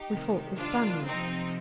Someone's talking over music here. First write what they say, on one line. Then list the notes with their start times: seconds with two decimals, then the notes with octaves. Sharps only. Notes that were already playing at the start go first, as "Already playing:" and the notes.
We fought the Spaniards.
Already playing: D#4 G4
0.09 C3 D#3
0.57 D4 F4
1.05 C3 F3 C4 D#4